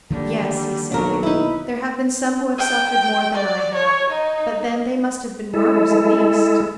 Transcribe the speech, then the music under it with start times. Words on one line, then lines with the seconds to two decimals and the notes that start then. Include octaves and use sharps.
"Yes," he said, "there have been some who have suffered more than I have, but then they must have been martyrs at least."
0.10 D3 D#3 F3 G3 A#3
0.92 B1 F#3 D4 A#4
1.23 D#4 E4 B4
2.59 G5
3.35 D5
3.75 C#5
4.10 D#4
5.54 G#3 E4 A4